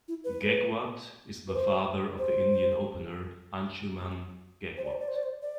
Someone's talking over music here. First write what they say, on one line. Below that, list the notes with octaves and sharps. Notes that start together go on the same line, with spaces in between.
Gaekwad is the father of the Indian opener Anshuman Gaekwad.
E4
B4
B4
C5
C5
C5
D5
C5
D5
C5
D5
C5
D5